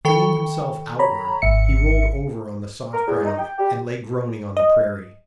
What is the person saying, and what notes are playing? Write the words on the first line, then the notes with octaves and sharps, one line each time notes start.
Flinging himself outward, he rolled over on the soft ground, and lay groaning on the prairie.
D#3 A4 G5
C#5 A#5 B5
G#1 E5 C#7
A#4
E2
D#4
G5
G4
D#5